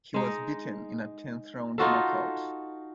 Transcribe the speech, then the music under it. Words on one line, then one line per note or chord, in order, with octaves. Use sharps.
He was beaten in a tenth round knockout.
G#3 D#4
D#4 F4 F#4 A4